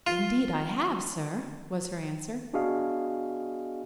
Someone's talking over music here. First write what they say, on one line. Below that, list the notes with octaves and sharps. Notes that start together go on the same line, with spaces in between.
"Indeed I have, sir," was her answer.
F4
B3 D4 F#4 G#4 D#5 F5